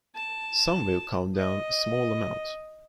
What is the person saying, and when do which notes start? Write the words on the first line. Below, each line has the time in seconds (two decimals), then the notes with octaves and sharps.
Some will come down a small amount.
0.15 A5
1.36 D#5